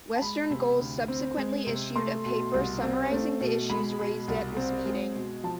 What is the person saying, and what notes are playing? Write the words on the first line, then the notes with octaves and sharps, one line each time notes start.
Western Goals subsequently issued a paper summarising the issues raised at this meeting.
A5
G#3 B5
C3
D2
C4
G#3
C3
A3 C6
B2
C2
C4
A3
B2
G#3 B5
B2
C2
C4
G#3
B2
F3 A5